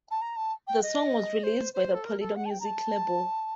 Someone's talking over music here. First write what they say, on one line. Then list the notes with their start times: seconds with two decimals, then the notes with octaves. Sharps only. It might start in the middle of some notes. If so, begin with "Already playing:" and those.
The song was released by the Polydor music label.
0.11 A5
0.22 A#5
0.36 A5
0.67 G5
0.83 D#5
1.43 C5
1.74 C5
1.94 A4
2.05 A#4
2.20 A4
2.35 F#5
2.45 A5
2.50 G5
2.60 A#5
2.65 A5